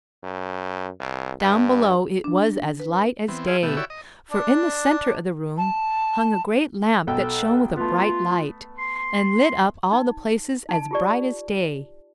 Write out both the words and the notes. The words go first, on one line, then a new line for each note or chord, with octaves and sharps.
Down below it was as light as day, for in the centre of the room hung a great lamp that shone with a bright light and lit up all the place as bright as day.
F#2
C2
G2
D4
B4
E3 B3 C4
F4 G#4 C5 E5
B2 A3 B3 G4 E5
E4 F#4 G4 C#5 D5 E5
D#5
D4
A5
B1 A4 G5
A3 B3 F4
C6
C6
D#4
D#4 A5
F4 G4 D5